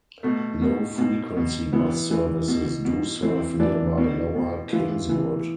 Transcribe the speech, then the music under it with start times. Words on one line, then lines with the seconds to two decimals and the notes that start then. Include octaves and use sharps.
Low-frequency bus services do serve nearby Lower Kingswood.
0.23 B2 A3
0.62 B2
0.98 B2
1.36 B2
1.73 E3 B3
2.11 E3
2.48 B2
2.85 B2
3.23 E3 C4
3.60 E3 D4
3.97 B2
4.35 B2
4.72 E3 F4
5.09 E3